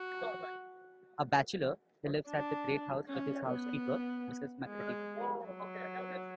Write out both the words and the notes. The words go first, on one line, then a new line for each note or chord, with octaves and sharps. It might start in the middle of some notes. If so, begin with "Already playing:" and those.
A bachelor, he lives at the great house with his housekeeper, Mrs Macready.
Already playing: F#4
D4
C#4
B3
G#3
F#3